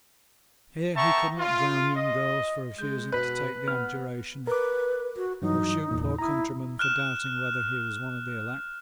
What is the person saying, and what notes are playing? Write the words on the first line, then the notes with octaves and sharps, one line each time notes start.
Here he could not drown young girls for refusing to take the abjuration, or shoot poor countrymen for doubting whether he was one of the elect.
B3 E5 G5 A5 A#5 C#6
F4
D#5
G#3 G6
B2 B4 F#6 B6
B3 F6
A#4 B4 D6
F#4
G2 E3 F#3 D#4
E2 A#2
E4 A#5 D#6
F6 F#6 E7